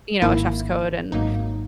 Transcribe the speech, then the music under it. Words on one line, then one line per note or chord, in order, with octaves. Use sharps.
you know, a chef's coat and,
G#1 G#2 D#3 A#3 E4
G#1 G#2 F#3 A#3 D#4